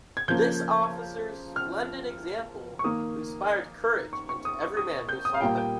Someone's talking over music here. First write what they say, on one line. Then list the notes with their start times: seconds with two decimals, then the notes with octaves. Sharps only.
This officer's splendid example inspired courage into every man who saw him.
0.17 G#6
0.28 C#3 F3 A#3 G6
1.56 F6
2.79 C#6
2.84 D#3 A#3 D#6
4.13 C#6
4.29 C#6
4.45 D#6
4.61 C#6
4.77 D#6
5.09 G6
5.25 D#6
5.34 F5
5.41 A#2 G3 A#3 G5
5.57 G5